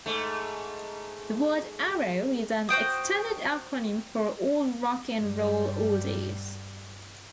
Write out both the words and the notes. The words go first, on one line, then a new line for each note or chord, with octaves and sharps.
The word "Arrow" is an extended acronym for "All Rock and Roll Oldies".
G#2 A3
F#4 C5 G5 D#6
G2 G3